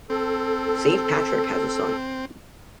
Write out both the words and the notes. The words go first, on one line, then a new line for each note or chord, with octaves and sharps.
Saint Patrick has a son.
C4 A4